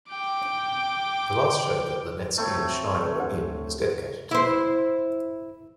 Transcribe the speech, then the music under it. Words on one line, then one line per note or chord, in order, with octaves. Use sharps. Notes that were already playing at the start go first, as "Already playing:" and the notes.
The last show that Linetsky and Schneider were in was dedicated to them.
G5 D6
A3 C4 C#5
D2
E4 C5